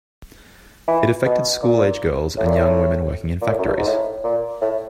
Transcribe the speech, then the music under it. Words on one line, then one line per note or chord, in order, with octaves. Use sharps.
It affected school-age girls and young women working in factories.
E3
B2
A#2
A2
A#2
A2
A#2
A2
F#2
G2
G#2
A2
A#2
A2